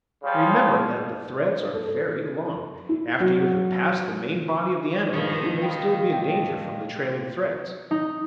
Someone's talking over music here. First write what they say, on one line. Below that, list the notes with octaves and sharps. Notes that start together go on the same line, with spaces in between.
Remember that the threads are very long; after you have passed the main body of the animal, you may still be in danger from the trailing threads.
C#3 F3 G3
A4
E4
F#3
A#2 D#3 F3 A4 B4 C#5
G4 B4
D4 G4 A4
D#4